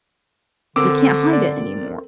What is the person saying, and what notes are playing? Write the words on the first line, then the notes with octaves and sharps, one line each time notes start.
You can't hide it anymore.
D3 C4 A4 A#4 D6 E6
D5